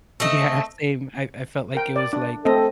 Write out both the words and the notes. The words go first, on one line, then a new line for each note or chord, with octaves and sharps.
Yeah, same. I I felt like it was, like,
A3 C4 D#5
A#4 G5
D5
D4
A3 C4 A4 D#5